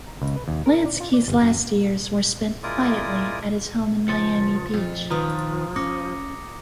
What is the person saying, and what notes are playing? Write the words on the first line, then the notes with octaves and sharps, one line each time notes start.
Lansky's last years were spent quietly at his home in Miami Beach.
A#5
C#2
B4
D#2
A#4
D5
F4
D5
G1
F#2
G#3 E4 F4 A#4 D5 D#6
C#2 F3 A6 C#7
F2 F4
D#3 F3 F4 B4 A#5 D#6
C#4 D6 A#6 C#7